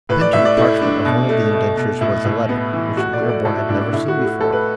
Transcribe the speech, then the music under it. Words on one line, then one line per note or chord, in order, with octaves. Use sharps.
Pinned to the parchment of one of the indentures was a letter, which Winterborne had never seen before.
A2 B4
D5
A2 E5
D5
A3 E4
A3 D4
B2
A3
A3
B2
A2 E4
A2
B3
E3
A2 F#4
D5
A3
D5
A2 A4
E4
A2 D4
D4
A2 E4
F#4
A3
F#4
A3 A4
B4